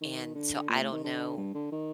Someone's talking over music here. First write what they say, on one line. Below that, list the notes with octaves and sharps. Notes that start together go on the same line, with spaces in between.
and so, I don't know
D#3
D3
A#2
A2
D#3
D3
G2
D3
D#3